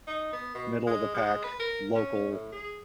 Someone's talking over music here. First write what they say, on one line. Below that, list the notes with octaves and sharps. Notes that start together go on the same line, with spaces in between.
middle of the pack, local,
D#4
B3
B2
G#3
G#3
B4
A#4
C#4
A2
G#4